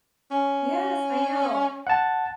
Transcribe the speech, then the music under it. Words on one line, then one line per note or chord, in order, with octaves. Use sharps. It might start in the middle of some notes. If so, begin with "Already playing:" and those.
Yes, I know,
C#4
F#5 A5